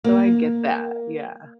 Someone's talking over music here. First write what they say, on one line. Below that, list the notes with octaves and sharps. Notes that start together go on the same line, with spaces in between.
So, I get that, yeah.
A#3